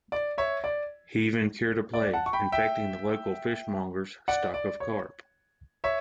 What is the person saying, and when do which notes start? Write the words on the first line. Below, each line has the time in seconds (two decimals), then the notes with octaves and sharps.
He even cured a plague infecting the local fishmonger's stock of carp.
0.12 D5
0.38 C#5 E5
0.64 D5
1.94 D5
2.13 F#5 A5
2.26 C#6
2.33 G5 B5
2.52 E5 G5
4.28 D5 F#5
4.54 D5
4.80 C#5
5.84 C#5 E5